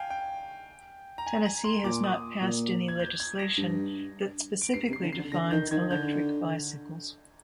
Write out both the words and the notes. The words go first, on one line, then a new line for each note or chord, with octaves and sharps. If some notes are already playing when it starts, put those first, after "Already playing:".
Tennessee has not passed any legislation that specifically defines electric bicycles.
Already playing: F5 G5 G#5
G5
A#5
G#5
A#5
C6
A#2 D6
D#6
A#2
G#6
G6
G#6
A#6
G2
D7
G2 C7
C3
C7
D3
C7
D3
D3 A#6
D#3 G6
D#3 G#6
D3 G6